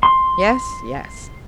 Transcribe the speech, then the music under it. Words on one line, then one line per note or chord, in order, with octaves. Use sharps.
"Yes, yes."
C6